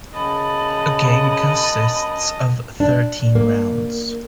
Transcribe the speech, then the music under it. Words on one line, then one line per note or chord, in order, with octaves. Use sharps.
A game consists of thirteen rounds.
F#2 C#3 D#5 A5 B5
D4
A#3